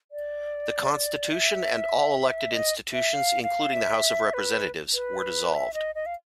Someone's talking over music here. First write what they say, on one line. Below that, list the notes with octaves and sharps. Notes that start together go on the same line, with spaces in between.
The constitution and all elected institutions, including the House of Representatives, were dissolved.
D5
E5
D#5
E5
F5
F5
E5
B4
B4
E5
D#5
D#5
F5